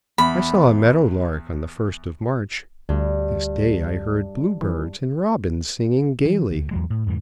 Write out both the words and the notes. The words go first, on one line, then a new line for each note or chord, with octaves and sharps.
I saw a meadow-lark on the first of March; this day I heard blue-birds and robins singing gaily.
E2 B5
D2 G2
E3
E3
D2
E2 F#3 G#3
A2
F2 G#2 D3 E3